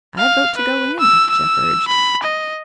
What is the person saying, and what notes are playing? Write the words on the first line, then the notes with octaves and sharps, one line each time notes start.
"I vote to go in," Jeff urged.
F5
B4
E6
E6
B5
D#5